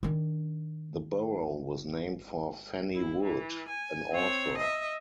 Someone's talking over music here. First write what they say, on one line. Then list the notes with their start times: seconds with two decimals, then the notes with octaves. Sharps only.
The borough was named for Fannie Wood, an author.
0.03 D#3 D4
2.94 E4
3.24 E3
3.69 G#5
4.13 C4 C#5
4.58 D#5 E5